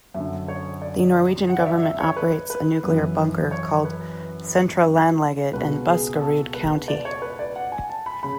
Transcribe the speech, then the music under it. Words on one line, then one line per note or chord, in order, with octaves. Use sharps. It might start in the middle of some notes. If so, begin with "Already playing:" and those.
The Norwegian government operates a nuclear bunker called Sentralanlegget in Buskerud County.
F#2 D3 E5
C#5
D5
F#5
D5
E5
E5
C#5
B4
B4
F#2 E3
C#5
B4
C#2 B2 B4
G#4
A4
B4
D5
C#5
B4
D5
F#5
G#5
A5
B5
C#3 B5